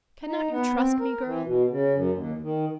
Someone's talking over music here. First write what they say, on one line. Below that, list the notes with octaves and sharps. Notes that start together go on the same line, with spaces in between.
Cannot you trust me, girl?
D#4
B3
C4
A#4
E3
B2
C#3
F#2
D#2
D#3